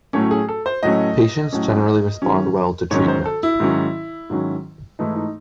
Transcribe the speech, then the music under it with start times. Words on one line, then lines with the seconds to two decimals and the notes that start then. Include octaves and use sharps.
Patients generally respond well to treatment.
0.13 A2 F#3 A3 C#4 C#5
0.31 G#4
0.48 A4
0.66 C5
0.83 A2 F#3 A3 C#4 D#5
1.53 A2 F#3 A3 C#4
2.22 G#2 D#3 F#3 C#4
2.91 G#2 D#3 F#3 C#4 C#5
3.08 C5
3.26 A4
3.43 E4
3.60 G#2 D#3 F#3 C#4
4.30 G#2 D#3 F#3 C#4
4.99 G#2 E3 A3 D#4 E4
5.16 D#4